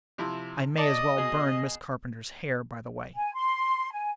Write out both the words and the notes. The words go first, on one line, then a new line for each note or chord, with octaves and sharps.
I may as well burn Miss Carpenter's hair, by the way.
C3 F3 E4
D5 D#5 A5
B2 G#4
G#5
C6
G#5